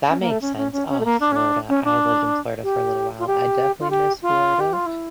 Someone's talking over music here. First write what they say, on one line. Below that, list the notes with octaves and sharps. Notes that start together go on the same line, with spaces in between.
That makes sense. Ah, Florida, I lived in Florida for a little while. I definitely miss Florida.
C#4
A#3
A3
C#4
C#4
C#4
C#4
A3
A#3
D4
C#4
D4
C#4
D4
G4
F4
G4
F4
G4
F4
G4
F4
E4